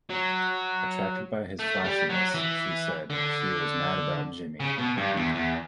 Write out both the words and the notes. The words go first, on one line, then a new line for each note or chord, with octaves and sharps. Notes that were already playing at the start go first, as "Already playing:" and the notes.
Attracted by his flashiness, she said, she was Mad about Jimmy.
F#3
A3
G3
F#3
E3
D3
C#3
B2
G2
E2
E2